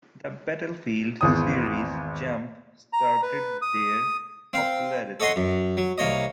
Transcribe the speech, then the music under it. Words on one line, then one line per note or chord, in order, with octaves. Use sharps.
The "Battlefield" series jump-started their popularity.
G#1 E2 D#6
A#5
B4
D#6
C4 F5
A4 C#5 D#5 F#5 C6
F#2
F#3
C2 A#3 C#5 D#5